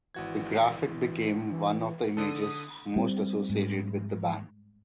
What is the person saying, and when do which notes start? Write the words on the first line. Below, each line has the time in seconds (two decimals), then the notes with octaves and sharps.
The graphic became one of the images most associated with the band.
0.14 G#1 E3 F#4 G#6
1.51 E3
2.17 D3 A4 D#6
2.96 G3 C4
3.50 G#2